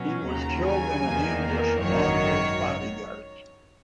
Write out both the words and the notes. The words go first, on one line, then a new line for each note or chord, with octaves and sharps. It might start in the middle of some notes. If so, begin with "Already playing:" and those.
He was killed in an ambush along with his bodyguards.
Already playing: B2 F#3 C#4
D#2 C#3 F#3 A#5
G#5
E2 D#3 A#3
A#4
G#1 F#2 D#3 F#3 C#5